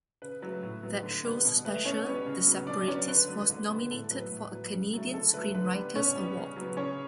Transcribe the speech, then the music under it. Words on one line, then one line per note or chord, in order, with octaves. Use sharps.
That show's special, "The Separatists", was nominated for a Canadian Screenwriters Award.
C#3 B4
F#3 A3 B4
A2
F#3 B3
D3
G3 B3
B2
A3 B4
B2 C#4 C#5
G3 B3
C#3
F#3 B3
B2 D4 D5
F#3 B3 C#4 C#5
D3 B4
F#3 B3
D3 B4
G3 B3
A2 A4
F#3 B3 B4
A2
F#3 B3
C#3
F#3 A3
D3 A4
F#3 A3 B4
D3 B4
G3 B3
B2 C#4 C#5
G3 B3
C#3
F#3 B3
C#3 C#4 C#5